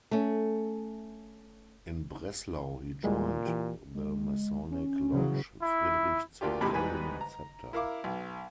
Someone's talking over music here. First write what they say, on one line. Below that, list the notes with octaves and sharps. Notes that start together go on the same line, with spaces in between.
In Breslau he joined the masonic lodge "Friedrich zum goldenen Zepter".
A3 C#4
A#2 G3 G#3 E4
E3 G4
G#3
C#4
C#3 E3 F#3
E4
D2 A#3 D4 F4 G4
D#2 A2 C3 E3 G#3 B5
G#2 B2 G3 B4 G#5 B5
A#5
E4 A#4 F5 D6
B1